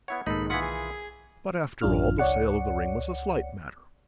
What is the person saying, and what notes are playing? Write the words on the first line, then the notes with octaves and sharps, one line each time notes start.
But, after all, the sale of the ring was a slight matter.
B3 E4 C#5 F#5 G#6
B1 G#2 D#3 A#3 D#4 A4 B5
E3 F4 F#5 D#6 G#6 B6
G#4
A1 F#2 D4 F4 F6
C#2 C#5 D5 F#5 C#7